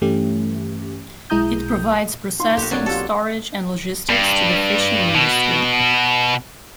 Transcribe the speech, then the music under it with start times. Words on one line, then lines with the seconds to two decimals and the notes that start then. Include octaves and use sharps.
It provides processing, storage, and logistics to the fishing industry.
0.02 G2 E3 A3 C#4 G4
1.30 B1 G#3 E4 A#5 D#6 G6
2.40 D#4 F4 C6
2.57 B1 A#3 F#4 G4 A4
2.71 F#3 A#3 C4 D4
2.86 F4 G4 A4 A5
4.09 G2
5.15 B2